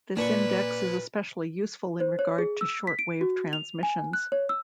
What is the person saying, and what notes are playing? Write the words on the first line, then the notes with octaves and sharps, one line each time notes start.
This index is especially useful in regard to shortwave transmissions.
A#2 D4 B4 C#6
C5
C#5
G#4
E6
B6
D7
F#4
F7
G#5
F#6
C#5
E6